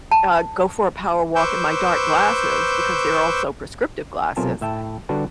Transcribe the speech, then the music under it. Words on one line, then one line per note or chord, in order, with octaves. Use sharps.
uh, go for a power walk in my dark glasses, because they're also prescriptive glasses,
A5
B4 C5 C#6 D6 E6 G6
B1 C3 F4 A#4 G#5 A5
A2 E5 G5 A5
D3 G3 D4 F#4 B4